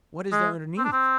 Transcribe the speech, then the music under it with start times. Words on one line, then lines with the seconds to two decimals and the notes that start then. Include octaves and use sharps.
What is there underneath?
0.32 G#3
0.78 C4
0.84 D4
0.92 C4